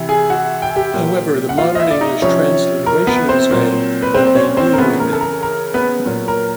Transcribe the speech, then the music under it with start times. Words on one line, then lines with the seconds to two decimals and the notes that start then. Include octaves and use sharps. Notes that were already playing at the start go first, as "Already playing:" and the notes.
However, the modern English transliteration of his name would be Neuymin.
Already playing: C3 E3
0.09 G#4 G#5
0.30 F#4 F#5
0.62 G5
0.69 G#5
0.76 G4 G5
0.94 A#2 F#3
1.49 F#5
1.58 F4 F5
1.75 D#5
1.79 E4 E5
1.91 D5
2.01 D#4 D#5
2.22 C3 F3 C#4 C#5
2.86 A#4
3.07 B3 B4
3.29 C4 C5
3.51 A#2 F#3
4.02 B4
4.14 C4 C5
4.27 C5
4.35 C#4 C#5
4.57 C4 C5
4.74 A#4
4.78 C#3 E3 B3 B4
5.00 A#4
5.13 A4
5.21 A#4
5.43 A#4
5.74 B3 B4
6.06 A#2 F#3
6.28 A#4